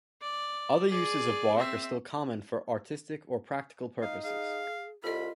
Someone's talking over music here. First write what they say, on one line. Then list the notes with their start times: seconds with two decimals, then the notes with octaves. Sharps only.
Other uses of bark are still common for artistic or practical purposes.
0.21 D5
0.88 G#4 D5
1.56 C4 E5
4.02 D#4 F5
4.24 G#4 F5
5.04 C2 F4 A4 D#5 B5